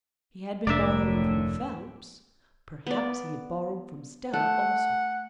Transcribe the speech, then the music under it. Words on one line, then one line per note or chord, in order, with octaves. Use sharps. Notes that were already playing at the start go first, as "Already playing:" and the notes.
He had been borrowing from Phelps. Perhaps he had borrowed from Stella also.
F1 D2 A2 A#3 D4 A#4 D5 E5
B3 D5
A3 F#5